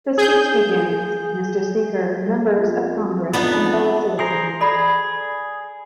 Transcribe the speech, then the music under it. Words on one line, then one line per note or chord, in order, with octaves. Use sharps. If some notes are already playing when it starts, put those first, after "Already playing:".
The speech begins: Mr. Speaker, members of Congress and fellow citizens.
G#4 G6
F2
F2 B3 D4 D#4
G#4 C5 G#5 A#5
G#4 A4 D5 B5